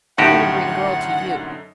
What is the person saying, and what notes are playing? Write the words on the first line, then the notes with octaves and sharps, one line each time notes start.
Kreta bring girl to you.
F#2 A2 D3 D#3 F#4 G4 D#5 F#5